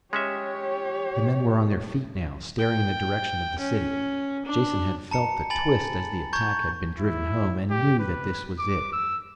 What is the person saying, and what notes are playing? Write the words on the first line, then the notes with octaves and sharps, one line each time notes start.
The men were on their feet now, staring in the direction of the city. Jason had felt the twist as the attack had been driven home, and knew that this was it.
G#3 C#4 G4 C#5 E5
G5
C#4
D4
A5 A#5 C#7
G#5 B5 A6 F#7
A#5 C#6 G6 G#6
E4
G4
B4
D6
E6